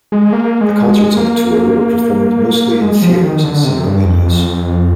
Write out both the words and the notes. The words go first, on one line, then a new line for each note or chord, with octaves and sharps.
The concerts on the tour were performed mostly in theaters and similar venues.
G#3
A#3
G#3
G#3
A#3
G#3
F3
D#3
D3
C3
G2
F2
F2